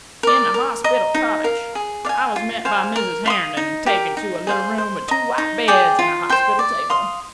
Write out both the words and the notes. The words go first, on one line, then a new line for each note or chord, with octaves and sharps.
In the hospital cottage I was met by Mrs. Herndon and taken to a little room with two white beds and a hospital table.
A#4 D5
A#4
D#5 A#5
D#4
A#4 F5
G#4
D5 F5 G#5
F4
C5 F5 G#5
A#4
F5 C6 D#6
D#4
G4 A#4
D#4
G#4 C5 F5
C5
D#5 A#5
D#4
G#4 D5 G5
F4
C5 G5 C6
D5
F5 C6 D#6